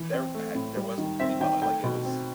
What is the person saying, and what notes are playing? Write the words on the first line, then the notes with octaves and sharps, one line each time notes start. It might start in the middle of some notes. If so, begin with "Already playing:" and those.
There had there wasn't any bug, like, it was
Already playing: E3
C4
A3
A2
G3
D#3
C4 E5
D#3 G5
A3 G5
B2
C4